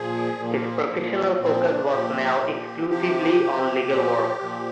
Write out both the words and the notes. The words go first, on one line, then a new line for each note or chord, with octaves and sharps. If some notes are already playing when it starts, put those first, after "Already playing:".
His professional focus was now exclusively on legal work.
Already playing: A#2 F3 G#4
A#2 F3 A#3
A#2 F3
A#3
A#2 F3 C4
D4
A#2 F3 G4
A#2 F3
C3 F3 G4
C3 F3
A#2 F3
A#2 F3